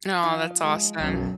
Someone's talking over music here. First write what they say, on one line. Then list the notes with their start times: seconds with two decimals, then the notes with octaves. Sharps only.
Aw, that's awesome.
0.23 F3 D#4 F4
0.63 G#3
1.00 B1 F#2 F#3